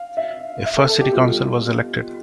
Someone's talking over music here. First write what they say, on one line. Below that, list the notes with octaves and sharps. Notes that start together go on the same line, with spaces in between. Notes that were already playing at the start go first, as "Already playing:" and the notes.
A first City Council was elected.
Already playing: F5
E5
E5
A4
A4
G4
B2 G3 B3 F4